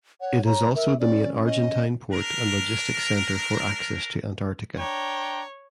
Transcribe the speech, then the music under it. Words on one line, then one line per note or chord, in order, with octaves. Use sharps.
It is also the main Argentine port and logistics center for access to Antarctica.
C#5 F#5
C#5 A#5
A#4 E5
C#4 D5
D#5
D4 A#4
D4 C#5 G5 A#5